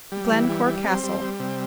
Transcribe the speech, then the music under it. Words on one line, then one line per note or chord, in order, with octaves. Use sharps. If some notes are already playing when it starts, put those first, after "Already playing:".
Glencore Castle.
G3
E3
G3
G3
C4
G3
G3
C3